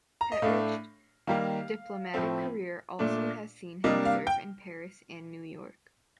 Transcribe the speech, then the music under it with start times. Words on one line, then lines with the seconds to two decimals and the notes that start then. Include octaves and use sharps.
Petritsch's diplomatic career also has seen him serve in Paris and New York.
0.21 A#5
0.32 D#5
0.42 A2 A3 D4 F5
1.27 D#3 G3 A#3 F5
2.14 A2 F3 A3 C4
2.99 A#2 A3 D4
3.84 C3 G3 A#3 D4 D#5
4.05 F5
4.27 G5